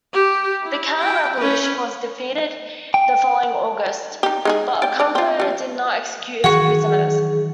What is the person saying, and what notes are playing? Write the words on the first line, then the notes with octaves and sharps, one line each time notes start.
The counter-revolution was defeated the following August, but Ocampo did not execute his prisoners.
G4
E4
E4 G5
C#4 B4
G5
D#4 G4
G#3 D#4 G#4
D5 G5
D4 D5
C4 F4
F3 G3
D#3 E3 F#3 F#4 G#4 F#5 C#6